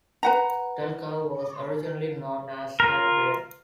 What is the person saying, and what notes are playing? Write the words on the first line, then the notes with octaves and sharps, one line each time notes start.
TelCove was originally known as Hyperion.
B4 F#5 A#5
F4 A#4